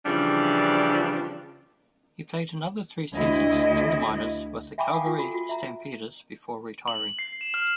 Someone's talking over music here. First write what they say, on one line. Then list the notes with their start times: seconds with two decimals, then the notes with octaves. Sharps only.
He played another three seasons in the minors with the Calgary Stampeders before retiring.
0.06 C#3 E3 F3 G3 D4
3.14 D2 E4 D#5
4.78 E5 G5 G#5 B5 C#6 D6
4.94 F5 F#5 G#5 A5 D6 D#6
5.06 F4
5.18 F4 F#4 A4
5.34 F4 F#4
5.49 E5 A#5
6.88 F#7
7.19 C7
7.41 E7
7.54 F6